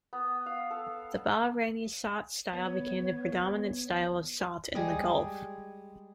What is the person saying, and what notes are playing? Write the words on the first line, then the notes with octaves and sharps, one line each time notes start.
The Bahraini "sawt" style became the predominant style of "sawt" in the Gulf.
B3
F5
A4
B3 C#5
G3 G#3 G#4